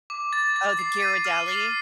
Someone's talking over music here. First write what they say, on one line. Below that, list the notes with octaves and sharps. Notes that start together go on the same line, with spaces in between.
Oh, the Ghirardelli?
D6
A6
A6
C7
D#7
F6
C7